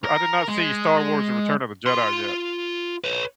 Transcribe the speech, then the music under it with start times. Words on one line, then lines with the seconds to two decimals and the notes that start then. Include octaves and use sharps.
R I did not see Star Wars and Return of the Jedi yet,
0.04 A#4
0.48 G#3
1.86 F4 C6
3.04 B4 C#5